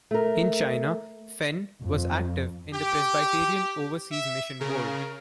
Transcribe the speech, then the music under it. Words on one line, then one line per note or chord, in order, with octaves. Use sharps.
In China, Fenn was active in the Presbyterian Overseas Mission Board.
A3 A#4
F2
G4
E5
C#3 A#4